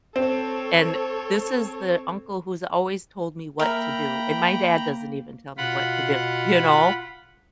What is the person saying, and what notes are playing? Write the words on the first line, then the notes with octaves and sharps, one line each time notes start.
And this is the uncle who's always told me what to do, and my dad doesn't even tell me what to do. You know?
C4 A4 C#5
A#3 A#4 E5 G5 A#5 B5
B2 F4 F#5 B5